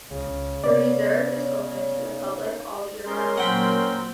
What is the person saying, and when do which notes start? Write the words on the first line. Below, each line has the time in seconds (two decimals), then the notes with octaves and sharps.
The reserve is open to the public all year round.
0.11 C#2 C#3
0.26 C#2
0.64 C3 B3 C#5 D5
2.00 D#4
3.06 G#3 C#4 A#4 C6
3.38 A#2 F#3 C4 F#5 G5 B5